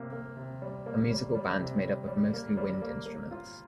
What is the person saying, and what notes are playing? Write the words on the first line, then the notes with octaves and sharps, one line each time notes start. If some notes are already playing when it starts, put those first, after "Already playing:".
A musical band made up of mostly wind instruments.
Already playing: C3 A#3
A#3
C3
G3
A#3
G3
G3
C3
G3
G3
A#3
G3
A#3
A#3
F4